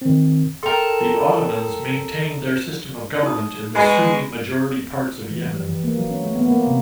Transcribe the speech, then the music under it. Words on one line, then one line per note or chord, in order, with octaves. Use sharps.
The Ottomans maintained their system of government in the Sunni-majority parts of Yemen.
D#3 C4
A4 A#4 G5 C6
D#4 D#6
B2 G#3 G#5 B5
E3
G3
E3
A#3
F#3
C#4
A3
B3
A#3
C3